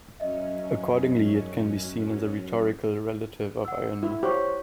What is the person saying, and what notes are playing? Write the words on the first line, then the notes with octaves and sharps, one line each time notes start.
Accordingly, it can be seen as a rhetorical relative of irony.
F#2 F#3 C#4 D#5 E5
F#5 E6
E4
G4 C5 C#5 C#6